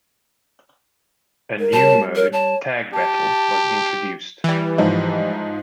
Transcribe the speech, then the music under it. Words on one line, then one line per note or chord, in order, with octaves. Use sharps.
A new mode, Tag Battle, was introduced.
A#4
G3 C#4 A5
A#4 C#5
C#5 A5
G4 A5
E3 G3
G#2 F3 D#4